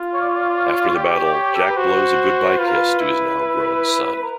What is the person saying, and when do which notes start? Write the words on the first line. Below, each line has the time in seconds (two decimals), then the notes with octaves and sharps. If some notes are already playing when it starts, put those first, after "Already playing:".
After the battle, Jack blows a goodbye kiss to his now grown son.
Already playing: F4
0.14 C#5
0.21 D5
0.29 C#5
0.36 D5
0.43 C#5
0.50 D5
0.58 C#5
0.65 D5
0.73 C#5
0.80 D5
0.88 C#5
0.95 G4 D5
1.02 C#5
1.10 D5
1.17 C#5
1.25 D5
1.32 C#5
1.55 A4
1.62 A#4
1.70 B4
1.76 F#4 C5
2.58 F4 B4
2.66 A#4
2.74 B4
2.99 E4
3.41 E4
4.23 A#4